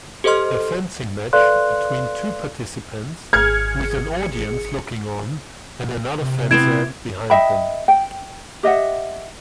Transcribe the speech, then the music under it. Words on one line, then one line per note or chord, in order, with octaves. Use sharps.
A fencing match between two participants with an audience looking on and another fencer behind them.
G4 A4 C5 D#5 C6 F6
A4 B4 D5 F5 C6 F#6
G#1 G#4 F6 G#6 C#7
C3
B3 C4 E4 G#6 D7 E7
D#5 E5 G5 B5
G5
G4 D#5 E5 F#5